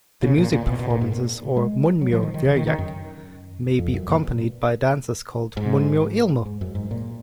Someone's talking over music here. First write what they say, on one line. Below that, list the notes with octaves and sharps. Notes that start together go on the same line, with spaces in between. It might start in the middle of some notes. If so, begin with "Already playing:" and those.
The music performances or "munmyo jeryeak" may be accompanied by dances called "munmyo ilmu".
C#3
A#2
A#2
B2
B2
A#2
G#2
A#2
G#3
F#3
F3
D#3
D#3
C#3
D#3
D#3
F#2
F2
F#2
A#2
B2
G#2
G#2
F#2
G#2
A#2